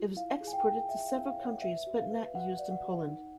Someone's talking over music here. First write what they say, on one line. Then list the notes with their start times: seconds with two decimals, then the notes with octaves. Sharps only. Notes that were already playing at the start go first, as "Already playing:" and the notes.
It was exported to several countries, but not used in Poland.
Already playing: F4
0.16 E4 F5
0.41 G#4
0.47 G#5
0.53 G5
0.65 G#4
0.89 E4 E5
1.07 F5
1.14 E4
1.26 F5
1.38 C#5
1.43 F#5
1.62 B4 E5
1.87 F#4
1.98 F5
2.11 B4
2.34 F#4 F#5
2.59 D5
2.71 F#5
2.83 F#4
3.07 D#4